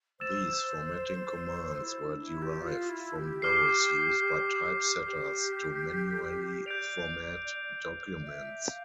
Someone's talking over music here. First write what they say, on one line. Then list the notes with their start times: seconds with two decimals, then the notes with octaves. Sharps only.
These formatting commands were derived from those used by typesetters to manually format documents.
0.20 C5 E6 A6 E7
1.81 E4
2.01 D4
2.22 E4
2.42 G4
2.62 F4
2.89 E4
3.16 G4
3.42 D6 F6 C7
5.04 G4
6.66 D5 G6 D7 F7
8.22 D5
8.27 E5
8.68 F5